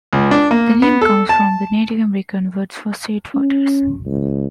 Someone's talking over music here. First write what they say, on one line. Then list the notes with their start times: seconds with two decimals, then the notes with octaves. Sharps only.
The name comes from the Native American word for sweet waters.
0.13 C#2
0.31 D4
0.51 A#3
0.82 B3
1.01 A4
1.29 A5
3.34 C#4
4.06 C#2